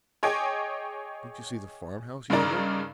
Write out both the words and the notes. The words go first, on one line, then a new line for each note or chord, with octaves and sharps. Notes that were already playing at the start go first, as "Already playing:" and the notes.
Don't you see the farm-house yonder?
G#4 C#5 D#5 G5 G#5 D6
G2 C#3 D#4 A#4 D5 A#5